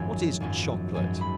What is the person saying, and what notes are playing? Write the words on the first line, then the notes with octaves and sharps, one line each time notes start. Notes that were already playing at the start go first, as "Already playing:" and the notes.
What is Chocolate?
Already playing: G#1 F#2 F3 G#3 C#4 G#5
G#1 F#2 F3 G#3 C#4
G#1 F#2 F3 G#3 C#4 G#5
B5